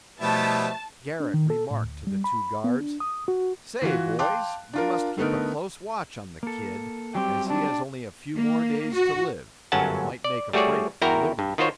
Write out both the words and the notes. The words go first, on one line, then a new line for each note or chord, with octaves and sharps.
Garrett remarked to the two guards: "Say, boys, you must keep a close watch on the 'Kid,' as he has only a few more days to live, and might make a break for liberty."
B2 F3 G3 A3 B3 E4 A5
D4
D#3
A4
A2
D2
G3
B5
B3
D4
D#6
F#4
E3 F4 F#4
F5 G5 A5 C6 D6 F#6
D4 F4 A#4
D3 A3 B3 D#4 A#4
A#3 A4
F#3 G3 C4 G4
D4
A#3
F#4
G1 F#2 F#3 C#4 F#5 A5
D5
G3 A3 F#4 G#4 C#5 D5
E2 E4 F#4 A#4 G5 A#5
G2
D#3 F4 F#4 C5 C#5